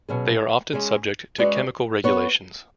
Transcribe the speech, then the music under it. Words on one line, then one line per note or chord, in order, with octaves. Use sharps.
They are often subject to chemical regulations.
B2 F#3 C#4 G#4
G#3 C#4 G#4
G#3 C#4 F#4 B4 D5
B3 F#4 C#5